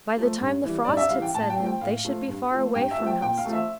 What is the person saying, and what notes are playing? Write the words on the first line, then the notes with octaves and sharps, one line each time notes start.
By the time the frost had set in, they should be far away from Helstone.
F3 A3
G2
E3 G3
G2 D5
E5
G3 F5
E3
G5
A2 A5
G5
F3 A3
G5
A2 F5
F3 A3
G2
F3 A3
G2 G5
E5
F3 A3
G5
A#2 G5
F5
F3 A3
E5